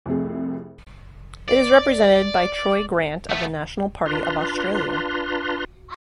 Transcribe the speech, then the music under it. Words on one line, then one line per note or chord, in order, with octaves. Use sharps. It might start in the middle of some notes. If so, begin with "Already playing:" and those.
It is represented by Troy Grant of the National Party of Australia.
C2 F2 A3 G#4
D5
A3 B3
D4 F4 B4 A#5 C6